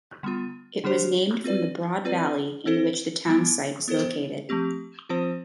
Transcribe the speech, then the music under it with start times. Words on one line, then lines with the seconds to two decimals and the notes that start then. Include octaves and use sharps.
It was named from the broad valley in which the town site is located.
0.23 D3 G3 B3 F4
0.84 D3 G3 D4 G4 C5
1.44 C4 F4 B4 D5
2.05 C4 F4 B4 D5
2.66 C4 E4 A4 C5
3.26 E3 G3 B3 E4
3.88 B3 E4 A4 C5
4.49 F3 A3 C4 G4
5.09 F3 C4 F4 C5